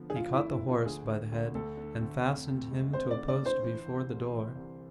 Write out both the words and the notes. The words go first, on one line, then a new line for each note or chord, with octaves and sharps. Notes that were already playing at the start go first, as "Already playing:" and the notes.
He caught the horse by the head, and fastened him to a post before the door.
Already playing: D3 F3 B3
G#4
D2 F4
E4
D3
E4
D3
F4
D2 G#4
D3
D2
D2 A4
D3
D2
F2
F2
G#3
F2 C5
D5
D3
D5
D3
C5
E3
C2
C2
E3
C2